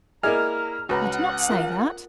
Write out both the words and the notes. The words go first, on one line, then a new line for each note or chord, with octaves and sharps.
"I did not say that."
A#3 E4 G#4 D5 D#5 G#5 A#5 F6
C#2 F#4 B4 F#5 A#5
F4 A#4 F5